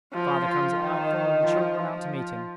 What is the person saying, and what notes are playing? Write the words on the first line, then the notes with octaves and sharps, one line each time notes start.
The father comes at nightfall, and the children run out to meet him.
F3
F3
D#3
F3
F3